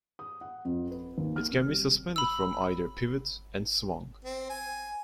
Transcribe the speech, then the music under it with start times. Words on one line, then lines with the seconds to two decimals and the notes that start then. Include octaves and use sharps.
It can be suspended from either pivot and swung.
0.19 D#6
0.41 F#5
0.65 F2
0.91 B4
1.18 D#2
1.36 F6
1.51 C4
1.68 G3
2.16 B5 E6
4.25 C4
4.50 G#5